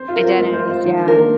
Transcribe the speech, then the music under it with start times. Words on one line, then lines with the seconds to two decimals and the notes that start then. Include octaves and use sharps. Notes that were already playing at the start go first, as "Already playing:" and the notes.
Identities, yeah.
Already playing: C4 C5
0.08 F4
0.16 A#4
0.24 C4
0.39 G#3
0.53 C5
0.70 F4
0.84 D#3
0.99 D4
1.08 A#4
1.15 A#3